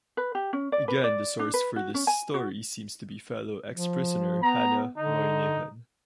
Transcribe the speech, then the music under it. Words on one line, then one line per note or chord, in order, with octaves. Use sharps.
Again the source for this story seems to be fellow ex-prisoner Hanna Moynihan.
B4
G4
C#4
D5
B4
D5
D4
B4
F#4
C#4
G#5
F#4
F3
B3 A#5
D3 D#4